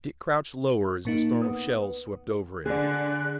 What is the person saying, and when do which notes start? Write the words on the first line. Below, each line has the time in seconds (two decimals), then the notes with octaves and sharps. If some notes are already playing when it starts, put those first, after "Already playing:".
Dick crouched lower as the storm of shells swept over him.
1.05 A#2 A#3 D#4
1.42 B3 D#6
2.66 D3 G#4 D5 F#6